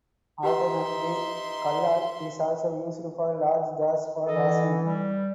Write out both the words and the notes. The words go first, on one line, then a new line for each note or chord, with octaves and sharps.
Alternatively, "kallal" is also used for large jars for washing.
D#4 G4 B4 E5 C6
E3 A4 D#5
G3